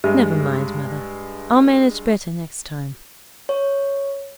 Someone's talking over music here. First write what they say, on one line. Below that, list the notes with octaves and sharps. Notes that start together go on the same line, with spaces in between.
'Never mind, Mother; I'll manage better next time.'
G2 G#3 G4
C#5